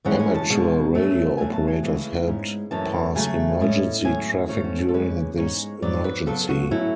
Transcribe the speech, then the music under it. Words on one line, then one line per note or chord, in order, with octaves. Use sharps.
Amateur radio operators helped pass emergency traffic during this emergency.
F#2 E3 G#3 C#4 F#5
G#5
A5
B2 G#3 C#4
B2 F#3 A3 C#4
B2 F#3 A3 G#5
A5
G#5
C#3 E3 G#3 B3
G#2 G#3 C#4
F#2 E3 A3 C#4 A5
C#3 F#3 A3 G#5
A2 G#3 C#4
A2 F#3 C#4 G#5
G#2 F#3 A3 C#4 C#5
F#4
A4
A4
E2 D3 G#3 C#4 B4
G#2 G#3 C#4 C#5
G#2 F#3 B3 D5
B4
C#3 F#3 B3 A4
F#4
F#3 A3 C#4 E4